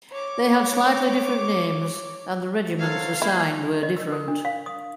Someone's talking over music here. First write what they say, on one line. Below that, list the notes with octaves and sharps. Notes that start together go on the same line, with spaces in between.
They had slightly different names and the regiments assigned were different.
C#5 D6
F#3 A4 C5 F5 G#6
A#3 E4 G6 G#6
D#5
E6
A#4
D4
F5
D#6